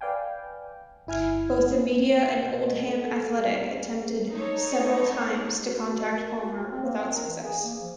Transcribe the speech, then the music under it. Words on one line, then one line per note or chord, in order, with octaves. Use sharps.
Both the media and Oldham Athletic attempted several times to contact Palmer without success.
B4 D5 F5 G5 G#5
G1 E4 G#5 F6 G#6
B2
A4
G3
G#4
D#4 A4 C#5
F#4
D#5
A#4
F#4
C4
A#3
C4
A#4
E3
G#4
A#3
F3